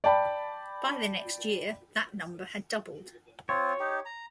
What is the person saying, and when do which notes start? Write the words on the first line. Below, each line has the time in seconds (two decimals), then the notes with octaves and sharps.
By the next year, that number had doubled.
0.04 D5 G5 A5 B5
3.49 C4 F4 C#5
3.80 D#4 G4
4.05 A#5